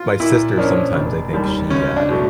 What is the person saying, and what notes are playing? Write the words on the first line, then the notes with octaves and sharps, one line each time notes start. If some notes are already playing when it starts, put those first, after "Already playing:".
my sister, sometimes, I think she, uh,
Already playing: F4
A#2 E4
F3 A#3 C#4 D4
F1
D#2 D#3 G3
C#2 C#4
D4
B2 F#3 A3